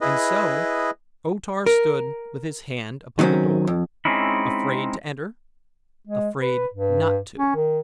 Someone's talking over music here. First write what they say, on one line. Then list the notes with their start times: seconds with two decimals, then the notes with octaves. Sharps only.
And so O-Tar stood with his hand upon the door--afraid to enter; afraid not to.
0.01 E4 G#4 B4 D#5
1.66 A#4
3.19 D#3 F#3 A#3 C4 C#4
3.67 F2
4.05 G#3 C4 C#4 D#4 E4
6.07 G#3
6.41 B4
6.74 G2
7.39 C#4
7.55 D#3